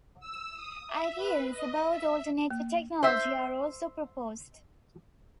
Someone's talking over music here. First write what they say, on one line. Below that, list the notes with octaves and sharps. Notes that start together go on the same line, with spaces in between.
Ideas about alternative technology are also proposed.
E6
D#6
E5
B4
D#5
E5
A#3
C5 E5